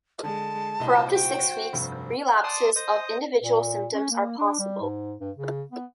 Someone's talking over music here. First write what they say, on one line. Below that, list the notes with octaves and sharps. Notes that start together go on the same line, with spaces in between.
For up to six weeks, relapses of individual symptoms are possible.
D3 G#3 A5
C2 A#2 F#4 C5 D#5
G5
F1 G2
D5 A5 C6 D#6
C5 D#5 D#6
A#2
C#4
A#3
D4
G3
G#2
G2
C#3
B3